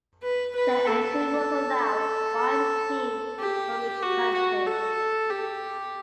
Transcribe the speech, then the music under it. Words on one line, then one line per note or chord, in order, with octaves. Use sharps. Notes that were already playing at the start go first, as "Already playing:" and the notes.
The entry rules allowed one team from each country.
B4
B4
A4
G4
F#4
F#4
A4
G4